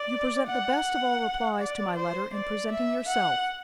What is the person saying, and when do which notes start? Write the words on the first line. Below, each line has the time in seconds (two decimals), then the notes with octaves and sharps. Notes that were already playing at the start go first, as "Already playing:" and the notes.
You present the best of all replies to my letter in presenting yourself.
Already playing: D5
0.47 F#5
1.59 D5
1.96 C5
2.34 D5
2.71 E5
3.08 F#5